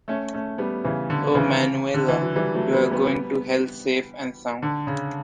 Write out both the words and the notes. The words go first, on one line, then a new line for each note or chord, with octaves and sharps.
Oh Manuela, you are going to hell safe and sound.
A3 C#4
A3 C#4
G3 B3
C#3 E3
D3
C#3 E3
D3
E3
F#3
E3 G3
F#3 A3
G3 B3
G3 B3
D3
C#3